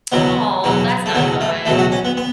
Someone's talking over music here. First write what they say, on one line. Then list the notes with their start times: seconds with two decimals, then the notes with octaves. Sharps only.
Oh, that's not good.
0.12 E2 B2 F#3 B3
0.64 E2 B2 F#3
1.06 A3
1.15 E2 B2 F#3 B3
1.41 A3
1.66 E2 B2 F#3 A3
1.79 F#4
1.92 C#4
2.05 B3
2.17 B3